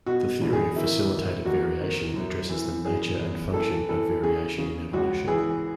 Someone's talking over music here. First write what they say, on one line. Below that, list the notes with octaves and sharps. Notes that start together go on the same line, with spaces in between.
The theory of facilitated variation addresses the nature and function of variation in evolution.
B2 F#4
E2
G#4
D#3 E4
D#3
D#2 F#4
D#3
F#2
E3
E2 G#4
E2
E3 A4
E3 A4
C#3 G#4
C#3
C#2 F#4
E3 G#4